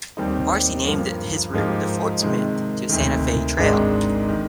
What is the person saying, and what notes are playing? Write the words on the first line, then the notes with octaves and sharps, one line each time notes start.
Marcy named his route the Fort Smith to Santa Fe Trail.
D#2 D#3 G3 C4 D#4
G2 F3 A#3
G#2 F3 A#3 D#4 G4
C3 D#3 G#3
D2 C3 D#3
G#1 G#2 D#3 G#3 D4
D#3